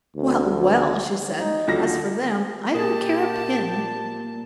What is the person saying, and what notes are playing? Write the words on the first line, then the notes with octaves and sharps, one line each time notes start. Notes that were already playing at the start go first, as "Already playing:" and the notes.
'Well! well!' she said, 'as for them, I don't care a pin.
D2
D#4
D#1 D3 F4 F#4 A#6
A#2 G4 A#4 A5